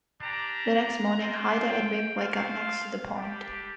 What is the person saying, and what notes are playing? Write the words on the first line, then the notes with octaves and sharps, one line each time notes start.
The next morning, Hyder and Rip wake up next to the pond.
G3 D4 G4 A#5
C4 F4
G5
C4 F4 F5
G3 D4 G4